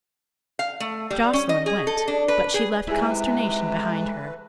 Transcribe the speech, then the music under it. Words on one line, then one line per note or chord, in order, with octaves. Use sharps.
Joscelyn went but she left consternation behind her.
F5
A3
G3
C#4
D#5
G#4
A4
D4
B4
G#4
C3 E3 G#3 A3 D#4 E4 G#4 B4